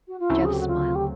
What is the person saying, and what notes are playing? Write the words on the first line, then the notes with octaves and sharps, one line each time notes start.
Jeff smiled.
F#4
F4
D2 C#3 F#3 A3 C4 E4
G#4
G4
F#4
F4
G4